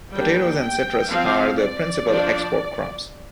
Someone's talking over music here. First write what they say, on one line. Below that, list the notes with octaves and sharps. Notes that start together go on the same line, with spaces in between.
Potatoes and citrus are the principal export crops.
G3 A#3 D4 G5
G5
F3 C4 F5
D5
F3 D4